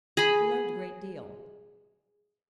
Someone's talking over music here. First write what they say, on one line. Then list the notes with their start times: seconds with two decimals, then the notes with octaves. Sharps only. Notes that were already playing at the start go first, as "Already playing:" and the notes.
We learned a great deal.
0.17 G#4 B5